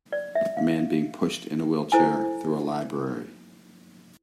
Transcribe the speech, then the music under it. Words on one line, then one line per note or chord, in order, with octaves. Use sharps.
A man being pushed in a wheelchair through a library.
D5
E5
F5
E4 A4 C5 G#5